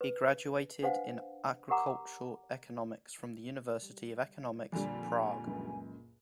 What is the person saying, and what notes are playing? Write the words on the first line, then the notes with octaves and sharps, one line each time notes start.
He graduated in agricultural economics from the University of Economics, Prague.
B4
D4 B4 C5 F5 F#5
G4 A#4 F#5 A#5 D6
G3
F2 A#2 D3 G3 D5 G#5
C#2 F#2